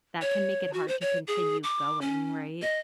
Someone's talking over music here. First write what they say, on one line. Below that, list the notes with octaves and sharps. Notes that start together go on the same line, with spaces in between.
that can make it hard to continue going, right?
C#5
F#4
C5
C#5
G#4
D6
C#4
D#5